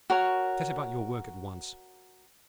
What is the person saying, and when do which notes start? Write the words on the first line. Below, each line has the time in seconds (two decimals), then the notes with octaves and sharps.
'Set about your work at once.
0.10 F#4 A#4 C#5